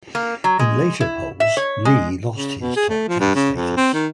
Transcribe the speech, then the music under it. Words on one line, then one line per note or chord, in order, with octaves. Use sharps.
In later polls, Lee lost his top ten status.
A#3
F#3
G#3
E4
E5
C#5
G#3
C#3
B2
G#4
A3
F3
G2
C#3
F2
C4
D#3